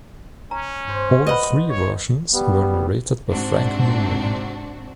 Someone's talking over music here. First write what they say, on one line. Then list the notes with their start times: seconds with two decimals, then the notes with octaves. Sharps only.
All three versions were narrated by Frank Muir.
0.51 C#4 A#5
0.89 C5
1.26 B4 D#5 F#5 B5
1.69 C#5
2.33 G3 B3
3.28 G#2 C3 C4 D4 F#4